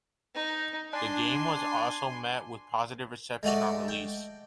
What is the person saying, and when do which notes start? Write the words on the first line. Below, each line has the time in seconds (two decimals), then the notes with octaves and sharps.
The game was also met with positive reception on release.
0.35 D#4
0.93 D4 G#5 C6
3.43 G#3 A3 F#4 D5
3.88 G5